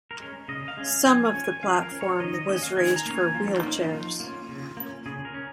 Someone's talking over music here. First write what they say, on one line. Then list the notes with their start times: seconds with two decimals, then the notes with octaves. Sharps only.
Some of the platform was raised for wheelchairs.
0.11 A#4
0.20 G#3 C#4
0.48 C#3 D#5
0.68 F5
0.77 G#3 C#4
0.87 F5
1.06 F3 G#5
1.25 G#5
1.34 C#4
1.44 G#5
1.63 F3 F5
1.82 A#4
1.91 C#4
2.01 C#5
2.20 D#3 D#5
2.34 D#5
2.48 A#3 C#4 D#5
2.63 F5
2.77 D#3 G#5
2.96 A#5
3.06 A#3 C#4
3.15 G#5
3.34 F3 F4
3.53 D#4
3.63 A#3 C#4
3.72 D#4
3.91 F3 F4
4.20 A#3 C#4
4.48 C#3
4.77 A#3 C#4
5.06 C#3 G#4
5.25 A#4
5.34 C#4